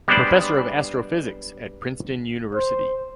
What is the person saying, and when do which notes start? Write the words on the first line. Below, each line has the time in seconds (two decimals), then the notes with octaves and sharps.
Professor of Astrophysics at Princeton University.
0.08 G3 G#3 B3 D4 C5 D5
2.55 C5